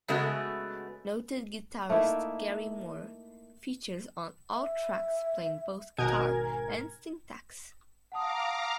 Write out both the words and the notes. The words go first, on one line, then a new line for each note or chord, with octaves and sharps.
Noted guitarist Gary Moore features on all tracks playing both guitar and synthaxe.
C#3 G#3 A3 B3 F#4
A3 A#3 D#4 E4
E5
G#1 B2 A#4 G#5 G#6
F5 F#5 A5 A#5 D6 D#6